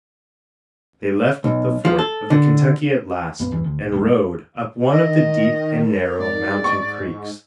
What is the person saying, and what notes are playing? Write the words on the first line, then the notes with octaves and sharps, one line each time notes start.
They left the fork of the Kentucky at last and rowed up one of the deep and narrow mountain creeks.
B1
F3
A4
D3
A#1 F#2 A#3 B3
A#1 E2 G2 E3
D2
A#1
D1 G1 G#3
D#3 A#4 D#5
G#2 D5
C#6